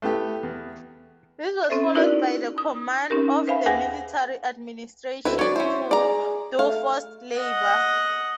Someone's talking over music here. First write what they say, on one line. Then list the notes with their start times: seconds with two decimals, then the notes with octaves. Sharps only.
This was followed by the command of the military administration to do forced labor.
0.02 A3 B3 E4 G4
0.43 E2
1.69 C4 C#4 A4 C5 E5
1.95 D#4 E4 F#4 A#4 B4 D5
2.58 D#6
3.10 C4 C#4 D#4 G4 A#4
3.47 B4 C5 E5 F5 G#5 B5
3.66 D#2 G#4 B4 F#5 G#5 A#6
5.25 D2 C4 E4 B4
5.39 F#3 C#5 D5
5.56 C#4 E4 C5
5.91 G#4 D5 A#5
6.59 A3 F5
7.37 D#5 F#5